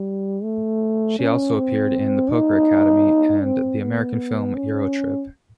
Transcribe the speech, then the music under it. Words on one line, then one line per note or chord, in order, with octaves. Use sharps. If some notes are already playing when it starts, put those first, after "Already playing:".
She also appeared in "The Poker Academy", and the American film "Eurotrip".
Already playing: G3
A3
C#4
C4
D#4
C4
B3
C#4